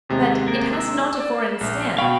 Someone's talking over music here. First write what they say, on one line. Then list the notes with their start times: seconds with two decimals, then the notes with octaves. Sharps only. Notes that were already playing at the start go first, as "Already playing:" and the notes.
"But it has not a foreign stamp."
0.09 D#2 C3 G#3
0.48 A#3
0.73 E6
1.20 D5
1.61 A#1
1.98 B2 F5 G5 B5 C#6